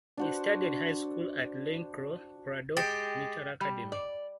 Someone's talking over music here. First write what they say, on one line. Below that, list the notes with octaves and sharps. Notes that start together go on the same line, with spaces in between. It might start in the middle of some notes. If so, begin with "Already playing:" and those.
He studied high school at Leoncio Prado Military Academy.
D4 F#4 C5
G#3 G4 A6
G3
D5